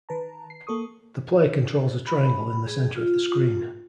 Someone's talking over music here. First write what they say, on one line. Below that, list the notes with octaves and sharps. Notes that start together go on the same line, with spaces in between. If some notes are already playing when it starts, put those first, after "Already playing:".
The player controls a triangle in the center of the screen.
D#3 B4 A5 A#5
C7
A#3 A4 C#6 D#6
B5
G#4
F4